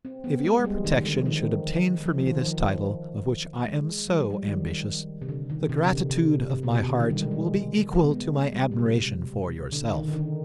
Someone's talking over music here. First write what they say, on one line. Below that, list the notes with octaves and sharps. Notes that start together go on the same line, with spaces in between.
If your protection should obtain for me this title, of which I am so ambitious, the gratitude of my heart will be equal to my admiration for yourself.
C4
B3
G#3
G#3
G3
D#3
D3
F3
D#3
F3
F3
D#3
F3
G#3
G3
F3
G3
D#3
C3
D3
D#3
C3
D3
C3
C3
C3
C3
B2
D3
D#3
G3
G#3
G#3
B3
G#3
G3
C3
B2
C3
D3
D#3
D3
D#3